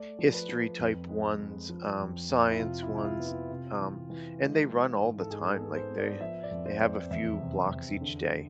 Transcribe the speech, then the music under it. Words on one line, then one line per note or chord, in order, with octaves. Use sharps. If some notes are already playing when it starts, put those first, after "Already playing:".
history type ones, um, science ones, um, and they run all the time, like, they they have a few blocks each day.
Already playing: A3 D5
F3
B4
F3
F2
G#3
F2
F3
F2
F2
E4
C3 F4
E4
C3
E4
F4
B3
F4
C3
E3
E3
G#3
G#3
G#2
A4
G#2 G#4
A4
B3
C5
B3
D5
F3 E5
D5
F2
C5
F2
D5
E2 E5
C3
E2
D3